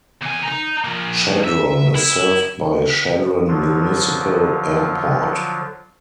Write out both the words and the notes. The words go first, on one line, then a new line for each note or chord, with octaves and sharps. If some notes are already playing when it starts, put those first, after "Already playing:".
Chadron is served by Chadron Municipal Airport.
E2 G#5
D#4 A#5
F3 A#3
E5
E4
D3 F3 F#3 F4